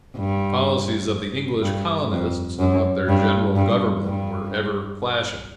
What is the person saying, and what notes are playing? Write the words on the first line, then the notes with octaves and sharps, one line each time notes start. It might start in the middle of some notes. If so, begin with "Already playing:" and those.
The policies of the English colonists and of their general government were ever clashing.
G2
G2
F2
F#2
G2
G2
G2